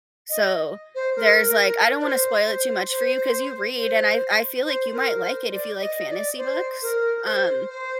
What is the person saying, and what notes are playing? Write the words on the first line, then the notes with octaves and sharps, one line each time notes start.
so, there's, like I don't wanna spoil it too much for you 'cause you read, and I I feel like you might like it if you like fantasy books, um,
D#5
C5
A#4
D5
C5
C5
C5
C5
C5
A#4
C5
D5
D#5
D5
C5
A#4
C5
C5